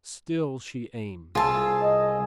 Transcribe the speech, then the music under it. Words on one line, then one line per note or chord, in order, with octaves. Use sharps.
Still she aimed....
C2 F4 G#4 A5 E6
D#5